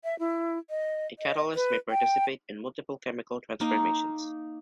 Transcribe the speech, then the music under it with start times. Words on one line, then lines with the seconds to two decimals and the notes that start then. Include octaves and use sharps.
A catalyst may participate in multiple chemical transformations.
0.04 E5
0.19 E4
0.70 D#5
1.19 D#5
1.55 B4
1.90 G5
3.60 A#3 D#4